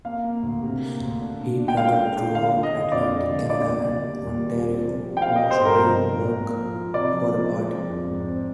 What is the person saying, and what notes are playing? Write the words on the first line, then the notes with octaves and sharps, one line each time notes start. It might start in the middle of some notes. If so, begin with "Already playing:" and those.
He travelled throughout Atlantic Canada and Ontario mostly doing work for the party.
A#3 F5
A#3
D2
C3
A#3
D2
D4
A#2
D4
G5
G#3 F5
D4
G#3
D3 F5
D3
D#5
D3
F2 D5
G#3
D3
D#2 D5
D#2
D#2
G3
D#2
G3
C4
F3
G4
G5
C4 F5
D#5
G4
C5
G2
A#4
F3
F4
G#2
A#3
F3
F4
C3 D5
F3
G#3
G#3
F3
F2
G#2
C4